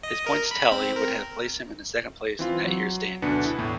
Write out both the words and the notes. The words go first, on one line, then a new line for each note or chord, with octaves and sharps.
His points tally would have placed him in second place in that year's standings.
D#5
A#4
B5
C4
A#4
E3 C4 F4
F#3
D2 B2 D4 B4 C#7
E4
E2 A2